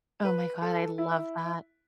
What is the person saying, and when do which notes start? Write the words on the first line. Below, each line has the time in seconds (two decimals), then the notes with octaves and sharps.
Oh my god. I love that.
0.25 B4
0.62 A4
0.98 E4